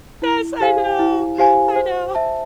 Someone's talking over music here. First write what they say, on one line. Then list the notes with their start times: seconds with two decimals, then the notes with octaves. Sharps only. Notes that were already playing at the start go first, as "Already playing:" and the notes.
Yes, I know, I know.
0.22 E4
0.60 G4 C5 F5 G#5
0.99 E4
1.38 G4 C5 F5 G#5
1.76 C5
2.15 E5 A5